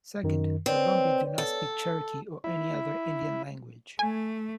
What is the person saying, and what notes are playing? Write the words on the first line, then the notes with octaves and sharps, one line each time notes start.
Second, the Lumbee do not speak Cherokee or any other Indian language.
F#2 D#3
C4 B4 C#5 D5
A4
E4
A3 G#5